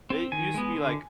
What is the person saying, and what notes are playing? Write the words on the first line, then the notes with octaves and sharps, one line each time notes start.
it used to be like,
C4
D#3 G#5
G#3 B3
D3